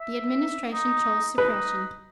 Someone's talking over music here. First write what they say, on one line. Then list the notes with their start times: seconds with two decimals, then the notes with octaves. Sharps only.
The Administration chose suppression.
0.01 E5
0.73 D#4
1.38 D#4 B4